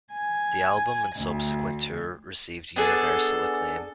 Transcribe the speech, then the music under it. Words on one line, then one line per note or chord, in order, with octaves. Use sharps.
The album and subsequent tour received universal acclaim.
G#5
D2
B3 D4 G#4 A4